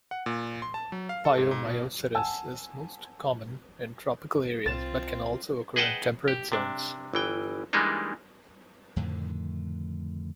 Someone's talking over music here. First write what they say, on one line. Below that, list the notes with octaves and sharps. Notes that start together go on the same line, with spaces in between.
Pyomyositis is most common in tropical areas but can also occur in temperate zones.
F#5
A#2
C6
A5
F#3
F5
A4
G#2
G#2
B2
F#5 G#5 A5 E6
C2 C4 F4 A6 E7
G#4 B4 D#5 F#5 G5 A5
G4
C3 D4
G1 E3 G5
E3 G3 G#3 A#3 D4 D#4
F2 A2 D3 D#3